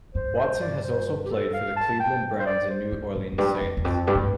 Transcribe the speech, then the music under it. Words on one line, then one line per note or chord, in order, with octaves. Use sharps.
Watson has also played for the Cleveland Browns and New Orleans Saints.
G2 C5
C5
D5
C5
B4
G4
A4
F5
A5
G5
C5
D5
C5
G2
A2
F2
G2
F2
E2
F2
G2
A2